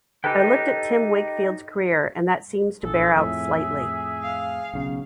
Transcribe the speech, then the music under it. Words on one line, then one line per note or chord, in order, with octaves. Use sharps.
I looked at Tim Wakefield's career and that seems to bear out slightly.
D#4 G4 A4 B4 G5
A#1 G#4 A4
F2 A2 E5
F5
B1 C#3